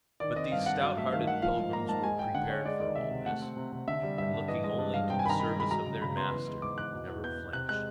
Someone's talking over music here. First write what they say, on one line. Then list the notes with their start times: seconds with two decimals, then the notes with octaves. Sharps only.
But these stout-hearted pilgrims were prepared for all this, and looking only to the service of their Master, never flinched.
0.20 D#3 D5
0.36 C4 D#5
0.52 G2 F5
0.66 G2 F#5
0.81 F#3 F5
0.97 A3 E5
1.12 D#3 F5
1.27 D#3 F#5
1.42 F3 F5
1.58 G#2
1.73 A#3 A#5
1.89 G#2 A5
2.03 G#3 G#5
2.19 G#3 G5
2.35 D3 F#5
2.50 G#3 C#5
2.65 G#3 D5
2.80 D#3 D5
2.95 C3 E5
3.11 C3
3.26 A3 F#5
3.42 C4
3.57 C3
3.72 C3
3.88 D3 E5
4.03 G3
4.18 G2 E5
4.34 G2
4.48 E3 D#5
4.64 G#3 D#5
4.78 G2
4.94 G2 F5
5.09 C3 G5
5.19 G#5
5.25 D#3 B5
5.30 A#5
5.39 D#3 B5
5.55 G#3 B5
5.70 F#3 A#5
5.85 C#3
6.01 C#3 B5
6.16 B3 C6
6.31 E3
6.47 G#3
6.62 G#2 D6
6.77 E3 F#6
6.93 B2
7.08 E2
7.24 B3 G6
7.39 B3
7.53 C3 F#6
7.69 G#3 F#6